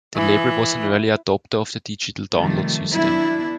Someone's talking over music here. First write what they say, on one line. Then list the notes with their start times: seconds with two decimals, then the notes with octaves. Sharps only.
The label was an early adopter of the digital download system.
0.15 E3
2.34 C3 D#3 F3 G3 A3
2.92 F#3 B3 D4 E4